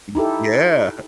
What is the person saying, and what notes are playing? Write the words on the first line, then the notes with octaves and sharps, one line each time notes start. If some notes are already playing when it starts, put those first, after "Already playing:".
Mm, yeah.
D#4 E4 G4 A4